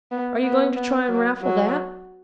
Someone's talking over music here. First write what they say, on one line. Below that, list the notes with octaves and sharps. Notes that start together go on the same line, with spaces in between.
"Are you going to try and raffle that?"
B3
B3
B3
F#3
F#3